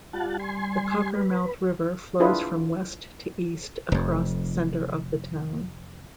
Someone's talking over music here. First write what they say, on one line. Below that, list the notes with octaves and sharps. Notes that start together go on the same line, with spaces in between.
The Cockermouth River flows from west to east across the center of the town.
G3 F4 F#5 A5
G#5 C6
B4
D4 E4 F4 G#4 B4
F1 F2